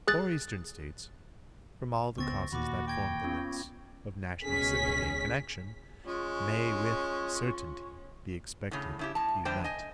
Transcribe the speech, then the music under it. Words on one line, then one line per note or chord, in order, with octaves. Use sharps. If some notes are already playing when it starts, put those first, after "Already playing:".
The four Eastern States, from all the causes that form the links of national sympathy and connection, may with certainty be expected to unite.
G#4 F#6 A6
C#2 B3 C4 C#6 A6 A#6
D#2 A#2 F#4 B5 D6
G5 C#6 G#6 A#6
B3 C#4 F4
C#2 B2 C#4 G#4 B6
G#3 C#4 F4 C#6
A2 C#3
C#3 E4 G4
A2 A5
E2 D3 G3 A3 C5 G5
D#5 G#5